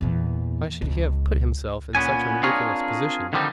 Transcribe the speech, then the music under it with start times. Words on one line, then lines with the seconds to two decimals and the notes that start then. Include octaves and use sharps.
Why should he have put himself in such a ridiculous position?
0.01 E2 A#2
0.82 C#2
1.95 A#2 B3 C#4 G#5
2.43 C4 D4 F4 G#4 A#4 C#5
3.33 D3 D#3 F3 G3 C4 D#4